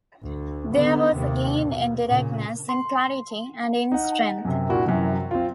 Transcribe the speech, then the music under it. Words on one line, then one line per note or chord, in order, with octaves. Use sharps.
There was a gain in directness, in clarity, and in strength.
D2
D3 B3
D#2 C3
B2
A#2 C#3
C6
D#4 F#5
F#2 C3
A#2 A#3 D4 E4 F#4
F#2 C3 E3
C4 F4